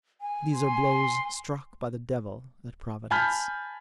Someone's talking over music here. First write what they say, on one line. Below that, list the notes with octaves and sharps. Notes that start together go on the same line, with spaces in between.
These are blows struck by the devil at Providence.
G#5
C6
G#5 A5 B5 F6 G6 B6